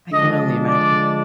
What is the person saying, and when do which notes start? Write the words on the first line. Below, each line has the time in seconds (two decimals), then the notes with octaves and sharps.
I can only imagine.
0.12 D3 F3 G#3 D4 D#5
0.67 D5